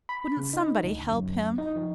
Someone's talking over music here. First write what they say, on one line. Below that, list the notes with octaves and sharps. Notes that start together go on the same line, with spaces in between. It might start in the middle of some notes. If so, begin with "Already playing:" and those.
Wouldn't somebody help him?'
B5
C#3
D#4
D2
F#2
D#4
F3